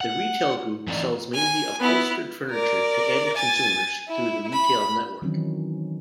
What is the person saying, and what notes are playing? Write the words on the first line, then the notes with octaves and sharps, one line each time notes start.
The Retail Group sells mainly upholstered furniture to end consumers through the retail network.
F#5
E3 A3 C4 D#4 E4 D5
G#5
B3 E4
A#4 D5
G#5 A6
E4
B5
D#3 E3 F#3 C4 C#4 D#4